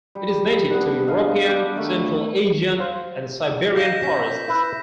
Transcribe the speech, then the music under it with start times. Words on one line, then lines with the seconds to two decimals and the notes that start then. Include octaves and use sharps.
It is native to European, Central Asian, and Siberian forests.
0.15 G3
0.70 B3 D4
1.08 D#5 F5
1.46 D4 D6
1.76 D#3 A3
2.78 C5 F5
3.75 D#4 F5 G6 A#6 E7
4.03 C#4 B6
4.48 E4 B4